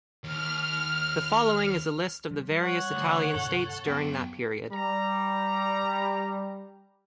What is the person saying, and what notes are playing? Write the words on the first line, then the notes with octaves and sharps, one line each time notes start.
The following is a list of the various Italian states during that period.
D#2 F6
F3 G3
C#5 F#5
D2
D2 G2 C3 A4
F#2 B3 G5
G3 A#5